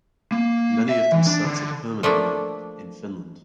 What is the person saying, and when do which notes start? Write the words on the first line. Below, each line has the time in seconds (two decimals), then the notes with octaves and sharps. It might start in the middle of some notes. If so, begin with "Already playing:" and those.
Many of them settled permanently in Finland.
0.32 A#3
0.89 E5
1.12 E3
1.27 D4
1.45 D3
2.03 F3 A3 A#3 D4